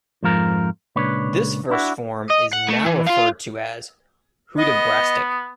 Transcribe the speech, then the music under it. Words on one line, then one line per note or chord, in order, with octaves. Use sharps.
This verse form is now referred to as "Hudibrastic".
F2 G#2 F3 A#4
C#2 A#2 D4 B4 C#5
D4 E4 F#4
D#5
F#5
A3
E3
F4 F5
B3 D#5